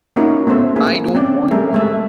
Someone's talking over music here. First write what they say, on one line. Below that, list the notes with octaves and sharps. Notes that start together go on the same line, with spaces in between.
I don't want one.
A#3 C#4 D#4 E4 F#4 A#4
A3 B3 C#4 C5 E5
A#3 E4 G#4
C4 C#4 D5
G3 A3 G#4 A#4 E5
G#3 A3 A4 E5